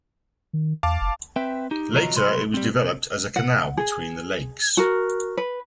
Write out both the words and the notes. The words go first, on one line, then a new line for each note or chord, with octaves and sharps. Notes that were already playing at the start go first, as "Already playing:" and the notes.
Later it was developed as a canal between the lakes.
D#3
E2 F5 A5 D6
F#1
C4 B4 E5 G5
D#4 G4
B1 E2 F#3 F4 D#5 A#5
C2 F#3 B4 C6
G3 C4
F#5
G#4
F#4 A#4
B4